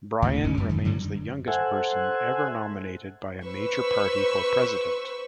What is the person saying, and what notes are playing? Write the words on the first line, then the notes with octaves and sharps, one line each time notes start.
Bryan remains the youngest person ever nominated by a major party for president.
D2 A2 C3
D1 G1 B2 C#4
F#2 G3
F2 D#3
G2 D3 F#3 G3
A4 C5 E5 F#5 G#5
B4 C5 C#6 E6